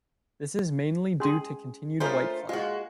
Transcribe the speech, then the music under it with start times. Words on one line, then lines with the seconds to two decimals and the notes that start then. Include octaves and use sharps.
This is mainly due to continued white flight.
1.20 C#4 G#4 C6
2.00 A3 D4 F4 A4 A#4 C5 C#5
2.49 G#3 F4 F#4